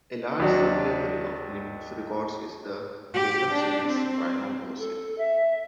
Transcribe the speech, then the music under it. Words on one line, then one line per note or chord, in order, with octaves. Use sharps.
A large sub-label of Nimbus Records is the vocal series "Prima Voce".
D#2 F#3 D4
G4 G5
D4
C4
A4
E5